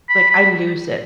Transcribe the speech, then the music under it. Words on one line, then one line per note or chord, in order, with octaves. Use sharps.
Like, I lose it.
B5
B5